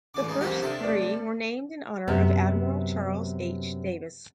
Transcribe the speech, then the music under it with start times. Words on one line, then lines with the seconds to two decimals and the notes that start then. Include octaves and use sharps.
The first three were named in honor of Admiral Charles H. Davis.
0.14 A1 G#2 C#3 D5 D6
0.28 E3 G#3 D#4
0.41 F#2 E3 A#3 C4 F4 G4 A#4 C5
0.62 C3 F3 D4 A4 E5
0.80 A3 D5
0.99 G3
2.08 F#2 C3 B3